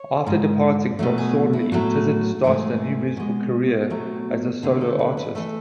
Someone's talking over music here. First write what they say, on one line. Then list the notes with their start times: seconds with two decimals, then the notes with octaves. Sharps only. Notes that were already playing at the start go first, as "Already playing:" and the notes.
After departing from Thornley, Tizzard started a new musical career as a solo artist.
Already playing: C#5
0.26 G#2 G#3
0.99 B2 F#3 A3
1.18 G#4
1.53 E4
1.72 A2 F#3 A3 F#4
2.44 G#2 E3 A3 G#4
3.17 B2 G#3
3.90 B2 F#3 A3
4.63 D2 D3 F#3 A3 G#4
4.81 A4
4.99 B4
5.17 B4
5.35 E3 A3 A4